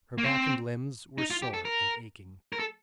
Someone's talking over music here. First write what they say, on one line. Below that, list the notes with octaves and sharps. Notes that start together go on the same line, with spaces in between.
Her back and limbs were sore and aching.
A#3
C4
D#4
F4
G4
A4
A#4
A#4
A4